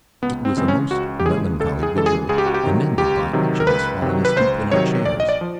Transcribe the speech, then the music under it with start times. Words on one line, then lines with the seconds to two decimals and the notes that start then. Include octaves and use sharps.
It was a most melancholy vigil and ended by each of us falling asleep in our chairs.
0.22 C#2 B3
0.45 C4
0.57 C#3 E3 G#3 C4
0.68 C#4
0.91 C#2 F#4
1.20 G4
1.25 C#3 E3 G#3 G#4
1.60 C#2 A4
1.83 G#4
1.95 C#3 E3 G#3 A4
2.06 G#4
2.29 C#2 G#4
2.38 G4
2.46 F#4
2.54 G4
2.63 C3 D#3 F#3
2.98 C#2 G4
3.33 C3 D#3 F#3
3.60 A#4
3.67 C#2 B4
4.02 C3 D#3 F#3
4.25 B4
4.36 C#2 C5
4.72 C3 D#3 F#3 C#5
5.05 A#1 D5
5.20 D#5
5.29 D5
5.41 F3